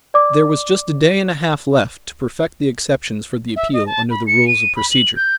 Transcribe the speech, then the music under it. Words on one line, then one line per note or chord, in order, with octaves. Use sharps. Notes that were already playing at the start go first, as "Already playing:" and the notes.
There was just a day and a half left to perfect the exceptions for the appeal under the rules of procedure.
D5 D6
E5
D#5
A5
B5
C#7
D#7
B5
F#7
G6